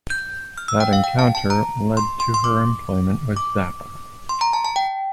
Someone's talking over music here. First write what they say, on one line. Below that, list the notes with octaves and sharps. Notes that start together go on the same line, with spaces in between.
That encounter led to her employment with Zappa.
G6
F6
E6
G5
F5
G5
A5
A5
A#5
C6
C6
C6
D6
D6
C6
A#5
A5
A5
G5